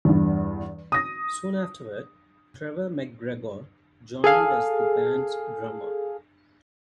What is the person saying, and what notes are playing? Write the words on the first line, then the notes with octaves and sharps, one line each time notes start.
Soon afterward, Trevor MacGregor joined as the band's drummer.
E2 G2
D#6 A#6
G#4 A4 F5